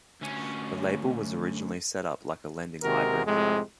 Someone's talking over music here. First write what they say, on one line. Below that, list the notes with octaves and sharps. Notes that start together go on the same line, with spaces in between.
The label was originally set up like a lending library.
D2 C#4
C3 D#3 G#3 F#4 A#4
F2 A2 C3 G#3